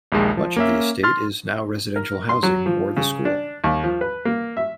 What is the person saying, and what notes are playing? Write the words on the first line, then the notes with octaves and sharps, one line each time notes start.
Much of the estate is now residential housing or the school.
A#1 D#2 G#3
F3
A#3 C#4 E5
C6 F6 A6
A#4
C6
F#3
F3
C#3
D4
D#2
F3
B4
A#3
E5